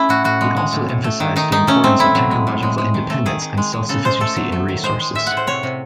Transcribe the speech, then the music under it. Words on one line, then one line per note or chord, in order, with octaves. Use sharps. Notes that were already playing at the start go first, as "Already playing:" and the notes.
He also emphasized the importance of technological independence and self-sufficiency in resources.
Already playing: A3 C#4 E4
A2 F#4
A2 F#4
G#3
G#3
A2
A2
A3
D#3
D#3 D#4
D#3 D#4
A3 C#4
A3 C4
A2 E4
F#3
G#3
A2
G#3
G#3
D#3
A3
D#3 G#4
D#3
G#3
G#3
C#3 A4
G#3 C5
A3 A4
F#3
A3
D#3
G#3 C5
G#3
A2 E5
A2 F#5
C5
C3 C#5
C3